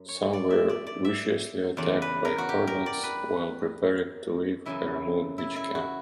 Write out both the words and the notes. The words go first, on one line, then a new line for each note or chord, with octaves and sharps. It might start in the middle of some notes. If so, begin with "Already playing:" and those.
Some were viciously attacked by hornets while preparing to leave a remote beach camp.
Already playing: F#2
C#5
D5
E5
D5
D5
E5
E2 C#3 E3 D5
B4
A#4
F#4
G4
A#4
D5
B4
F#2 C#3 E3 E4
E4
E4
F#4